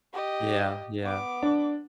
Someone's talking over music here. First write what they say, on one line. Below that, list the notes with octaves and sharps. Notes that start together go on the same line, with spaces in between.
Yeah, yeah.
G4 D#5
B3 D6
D4